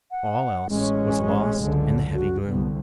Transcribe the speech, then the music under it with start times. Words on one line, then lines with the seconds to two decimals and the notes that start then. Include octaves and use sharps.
All else was lost in the heavy gloom.
0.11 F#5
0.70 A1 G#3 C#4
1.61 C#2 F#2 D3
2.15 F#4
2.49 C2 D3 B3